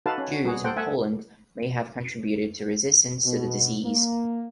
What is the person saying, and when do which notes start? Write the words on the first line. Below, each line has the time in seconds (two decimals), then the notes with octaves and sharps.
Jews in Poland may have contributed to resistance to the disease.
0.06 D#4 F#4 A4 B4 F5 A5
0.18 C#4
0.31 F#4
0.45 G3 B3 F#4 G#4
0.64 A4 C5 F#5 G5
0.76 A3 E5 F#5 G#5
3.24 B2
3.83 A#3